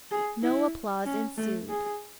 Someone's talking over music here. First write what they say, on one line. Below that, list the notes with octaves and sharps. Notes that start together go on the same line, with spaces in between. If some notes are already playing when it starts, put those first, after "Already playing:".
No applause ensued.
G#4
E4
C#4
A3
G#4